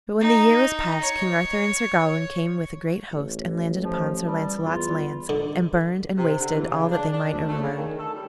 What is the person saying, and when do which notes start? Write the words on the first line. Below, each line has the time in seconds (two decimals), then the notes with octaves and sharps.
But when the year was passed, King Arthur and Sir Gawain came with a great host, and landed upon Sir Launcelot's lands, and burned and wasted all that they might overrun.
0.21 D#4
1.01 C#5
3.12 A1
3.83 F3
4.26 G3
4.65 E2 F4
5.29 D3
6.17 C3
6.39 D3
6.54 E3
6.70 C#3
6.91 D4
7.11 D4
7.31 D2
7.48 A3
7.62 C#3
7.77 D#3
7.99 A4
8.14 G3